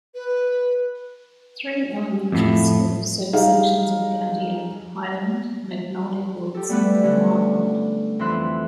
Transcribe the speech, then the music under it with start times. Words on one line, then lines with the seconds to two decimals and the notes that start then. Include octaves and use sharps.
Three elementary schools serve sections of Gardere: Highland, Magnolia Woods, and Wildwood.
0.15 B4
2.32 F2 A2
3.33 G3 D#4 G#4 F5
6.54 G4 A4
6.69 G3 A3 B3 G4 B4 D5
7.03 D3 G3 C#4
8.19 F2 E3 E5 C6 F#6